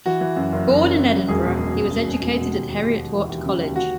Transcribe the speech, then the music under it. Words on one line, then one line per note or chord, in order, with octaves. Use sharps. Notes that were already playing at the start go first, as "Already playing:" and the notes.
Born in Edinburgh, he was educated at Heriot-Watt College.
E3 F#4
E3
F#2
F#1
F#1
F#1
F#1
F#2
E1 G#4
B2
B2
E1
E1
E1
E1
B2
D#2
D#2
D#2
D#2
E3
D#2
C#3
D#2
F#4